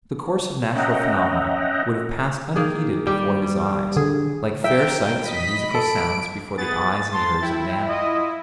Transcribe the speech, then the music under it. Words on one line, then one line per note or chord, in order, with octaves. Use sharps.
The course of natural phenomena would have passed unheeded before his eyes, like fair sights or musical sounds before the eyes and ears of an animal.
C#4 D#5 E5 F#5 G5 A#5
D#3 A#3 G#4
G3 G4
D3 G#4
A#4 E5 G5
D#5 B5 B6
A4 D7
B3 G#4 A6
A5 C6
E4 G5
F4 D#5